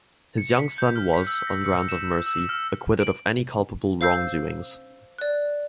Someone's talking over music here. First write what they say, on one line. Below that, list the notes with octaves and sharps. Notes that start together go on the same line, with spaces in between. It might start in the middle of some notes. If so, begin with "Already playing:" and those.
His young son was, on grounds of mercy, acquitted of any culpable wrongdoings.
C#7
B6
G6
F6
B6
E6
A#6
C#7
E7
E6
F6
D7 F#7
C5 F5 E6 G6
D5 F#6